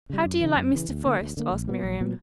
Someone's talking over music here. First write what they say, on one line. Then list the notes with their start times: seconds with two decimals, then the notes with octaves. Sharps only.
"How do you like Mr. Forest?" asked Miriam.
0.10 C#3 G3
0.25 F#2
0.41 C#3 E3
0.56 F#2
0.73 C#3 E3
0.89 D2
1.04 D3 A#3
1.21 D2
1.37 D3 A#3
1.52 A#1
1.68 A#2 F#3 B3
1.83 A#1
2.01 A#2 F#3 B3